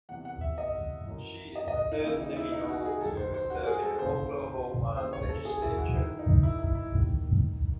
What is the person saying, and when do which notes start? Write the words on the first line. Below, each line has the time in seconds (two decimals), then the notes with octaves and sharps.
She is the third Seminole to serve in the Oklahoma Legislature.
0.09 E2 C3 E3 F#5
0.25 F#5
0.41 E5
0.58 D#5
1.06 F#2 E3
1.55 D#5
1.68 D#5
1.92 D#4
2.04 D#2 C#3 E3 E4
2.20 D#4
2.37 E4
2.52 D#4
2.69 F#4
2.85 G#4
3.01 F#2 D#3 A4
3.17 C5
3.34 C5
3.50 F#4
3.66 G#4
3.82 A4
3.99 D#2 C#3 E3 C5
4.96 D#2 C#3 E3 C5
5.13 C#5
5.29 A4
5.45 G#4
5.62 E4
5.77 F#4
5.94 F#2 D#3 E4
6.19 D#4
6.43 E4
6.59 E4
6.75 E4
6.92 D#2 D#3